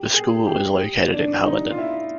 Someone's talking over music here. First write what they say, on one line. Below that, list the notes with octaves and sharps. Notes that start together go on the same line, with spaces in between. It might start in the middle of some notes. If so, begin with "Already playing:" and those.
The school is located in Haledon.
Already playing: G4
G#4
G4
D4
D#4
F4
E4